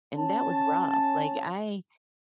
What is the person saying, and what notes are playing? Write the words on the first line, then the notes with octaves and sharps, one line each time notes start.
and that was rough, like, I
C#4 A5